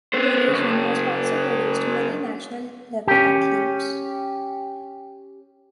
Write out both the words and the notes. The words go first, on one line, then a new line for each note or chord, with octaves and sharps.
The region has also produced many national level athletes.
B3 C5
C#3 F#3
C#4 G4